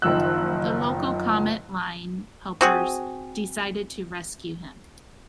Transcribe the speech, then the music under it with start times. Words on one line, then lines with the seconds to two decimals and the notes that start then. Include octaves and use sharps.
The local Comet Line helpers decided to rescue him.
0.02 F#1 D#3 F3 E6 F#6
2.61 C4 F#4 G#4